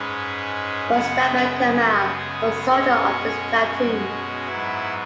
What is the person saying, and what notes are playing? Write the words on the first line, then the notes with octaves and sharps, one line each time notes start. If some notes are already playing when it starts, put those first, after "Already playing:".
Mostafa Kamal was a soldier of this platoon.
Already playing: G#2 G#3 C#4 B4
C#3 G#3 B3 F#5
E5
F#4
G#4
C#5
B2 G#3 C#4 C#5
F#4
G#2 F#3 B3 E4